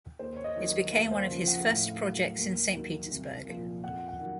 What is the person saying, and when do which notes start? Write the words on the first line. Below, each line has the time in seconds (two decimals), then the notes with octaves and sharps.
It became one of his first projects in Saint Petersburg.
0.19 D#2 C5
0.36 C#5
0.44 D#5
0.56 D#3 F#3
0.92 D#2 F5
1.11 C5
1.29 C#3 F3
1.47 F#5
1.65 A2 F5
2.01 F#3
2.38 D#2
2.75 D#3 F#3
3.11 C2
3.47 A#2 F3
3.83 F2 F#5
4.08 F#5
4.20 D#3 F#3